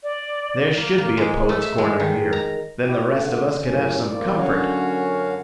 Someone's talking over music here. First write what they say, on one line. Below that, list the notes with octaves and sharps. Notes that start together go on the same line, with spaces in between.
There should be a Poets' Corner here. Then the rest of us could have some comfort.
D5
A#3
A#3
G#3
A3
E5
G#3
D#3
A#5
E4 G4
D3 A3
F#2 A2 C3 C#4
E2 A#2 A#3 C4 D5
F#2 D3 C#4 F#4 C#5 F5